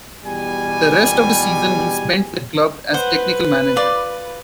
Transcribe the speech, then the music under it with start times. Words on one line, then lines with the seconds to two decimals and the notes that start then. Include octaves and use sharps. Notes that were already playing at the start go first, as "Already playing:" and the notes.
The rest of the season he spent with the club as technical manager.
0.24 E2 B2 G3 G4 G#5
2.94 B4 C5 F#5
3.76 F4 D5